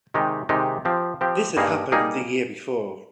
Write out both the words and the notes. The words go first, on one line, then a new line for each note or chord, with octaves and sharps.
This had happened the year before.
C3 D#3 G#3 D#4 G4
C3 D#3 G#3 D#4 G4
F3 C4 G4
F3 C4 G4
G2 G3 A#3 D#4 G#4
G3 A#3 D#4 G#4